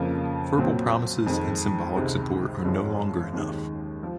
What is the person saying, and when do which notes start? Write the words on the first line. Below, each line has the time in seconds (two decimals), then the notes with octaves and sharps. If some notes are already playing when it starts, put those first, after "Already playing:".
Verbal promises and symbolic support are no longer enough.
Already playing: F2 C#3 F3 A#3 F4
0.58 A#1 A#2 F#3 C4
1.26 F2 D#3 G#3
1.95 C#2 C3 D#3 G#3
2.65 F#2 F3 G#3 C#4
3.33 D#2 D#3 G#3
4.03 F3